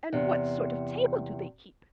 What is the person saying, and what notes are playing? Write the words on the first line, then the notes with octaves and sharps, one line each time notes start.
And what sort of table do they keep?
E2 C3